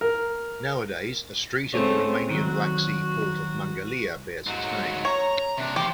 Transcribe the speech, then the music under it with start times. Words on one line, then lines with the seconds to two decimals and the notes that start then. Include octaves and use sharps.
Nowadays, a street in the Romanian Black Sea port of Mangalia bears his name.
0.01 A#4
1.74 C#2 A3 C4 G#4 C#5
2.30 D#3 F3 F#3 F#4
4.47 G#2 F#3
5.05 C#5 A#5
5.58 C3 D4
5.76 E3 F3 G4